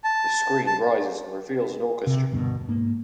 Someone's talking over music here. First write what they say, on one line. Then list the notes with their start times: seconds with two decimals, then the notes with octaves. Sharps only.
The screen rises and reveals an orchestra.
0.04 A5
0.67 A5
2.07 C3
2.32 D2 G2 B2
2.68 G#2 A#3